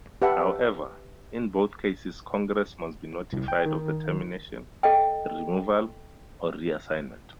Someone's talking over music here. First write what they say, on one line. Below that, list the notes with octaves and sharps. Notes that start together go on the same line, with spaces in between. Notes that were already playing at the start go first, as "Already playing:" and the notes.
However, in both cases Congress must be notified of the termination, removal, or reassignment.
G4 B4 E5 F#5 A5
C2
G5
D#3
A4 D#5 G5